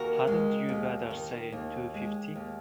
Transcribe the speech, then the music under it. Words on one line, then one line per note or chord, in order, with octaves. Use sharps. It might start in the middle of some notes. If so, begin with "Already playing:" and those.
Hadn't you better say two fifty?
Already playing: D#2 F#4 A#4
G#3
D#2
D#3
D#2
G#3
D#2